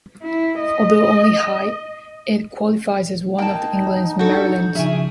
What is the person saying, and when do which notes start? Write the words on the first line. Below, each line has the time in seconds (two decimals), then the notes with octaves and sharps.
Although only high, it qualifies as one of England's Marilyns.
0.22 E4
0.60 D#5
3.38 A#3 D#4 G5 A5
4.19 D4 F#4 A4 G6
4.75 C#3 F3 G#4 E5 G#5